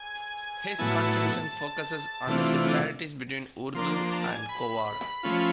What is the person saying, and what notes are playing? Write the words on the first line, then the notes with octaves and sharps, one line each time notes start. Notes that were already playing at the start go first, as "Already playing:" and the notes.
His contributions focuses on the similarities between Urdu and Khowar.
Already playing: G#5
A2 F#3 B3 E4 A5
C3 E3 A3 D4 F4
F3 A#3 D4 C6
C6
A5
G#5
B5
F3 A3 C#4 F4